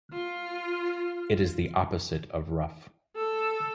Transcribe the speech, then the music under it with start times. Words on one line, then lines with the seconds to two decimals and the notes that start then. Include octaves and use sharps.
It is the opposite of rough.
0.13 F4
3.16 A4